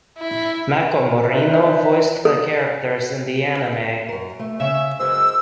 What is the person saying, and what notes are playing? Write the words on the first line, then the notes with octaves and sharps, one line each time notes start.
Mako Morino voiced the characters in the anime.
E4
D#4 B4 C5 D5 E5
A4
F#2 A#4
A3
C#3 C#4 E5
F#2 E3 G#3 C5 E6